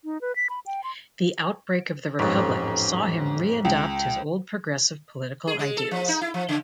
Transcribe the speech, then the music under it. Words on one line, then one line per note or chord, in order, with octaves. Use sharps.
The outbreak of the Republic saw him re-adopt his old progressive political ideals.
D#4
B4
B6
B5
G5
C6
A1 F2 G#2
C#2
G#4
G#3
A4
F3
D#4
E4
F3
C#3